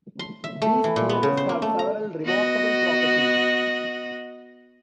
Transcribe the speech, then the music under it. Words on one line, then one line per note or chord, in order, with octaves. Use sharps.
These theories have several remarkable properties.
C6
E5
A3
E3
A#2
B3
C#3
C5
A#3
A3
A#5
B3 F#4 D#5